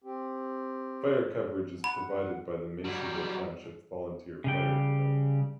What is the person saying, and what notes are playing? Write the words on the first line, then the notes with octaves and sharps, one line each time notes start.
Fire coverage is provided by the Masonville Township Volunteer Fire Department.
C4 G4
F#5 B5
F#3 G3
C#3 G3 G5